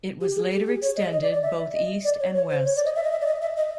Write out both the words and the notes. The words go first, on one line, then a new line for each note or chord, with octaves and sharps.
It was later extended both east and west.
G4
G#4
G4
G#4
C#5
D#5
D#5
D5
D5
E5
D#5
D5
C#5
C#5
C5
C#5
D5
D#5
E5
D#5
E5
D5
D#5
E5
D#5